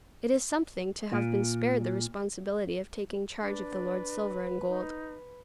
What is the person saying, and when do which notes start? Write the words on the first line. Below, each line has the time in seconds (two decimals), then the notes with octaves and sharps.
It is something to have been spared the responsibility of taking charge of the Lord's silver and gold.
1.12 A#2
3.42 D4 B4
4.68 D#4